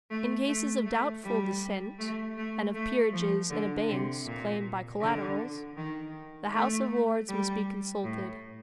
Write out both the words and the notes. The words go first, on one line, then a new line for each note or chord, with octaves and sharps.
In cases of doubtful descent, and of peerages in abeyance claimed by collaterals, the House of Lords must be consulted.
A3
A3
A3
G3
A3
A3
A3
F3
D3
C3
A#2
D3
D#3
A3
G3
A2